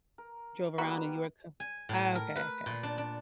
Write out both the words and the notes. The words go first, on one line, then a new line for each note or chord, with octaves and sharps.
drove around and you were co Oh, okay, okay.
A#4
G3 A#3 B3 F#4 A#4 B4
G#5
A2
A#4
B4
A#2
D4
D4